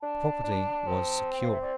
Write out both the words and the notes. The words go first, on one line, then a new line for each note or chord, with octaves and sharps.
Property was secure.
D4 A5
D4
C4
G5
F5
E5
D5